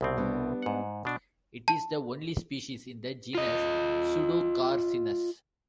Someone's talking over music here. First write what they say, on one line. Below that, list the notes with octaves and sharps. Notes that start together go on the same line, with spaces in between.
It is the only species in the genus Pseudocarcinus.
C2 B2 C4
G3 B3 D4
G#2 F#5
B2 D4
A5
F4 D#5